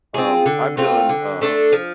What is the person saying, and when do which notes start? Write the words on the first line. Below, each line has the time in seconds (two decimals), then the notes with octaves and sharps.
Um, I've done, um
0.14 C4 F4 G#4
0.46 D3
0.77 A3 C4 F4
1.09 D3
1.41 A3 D4 A4
1.73 F3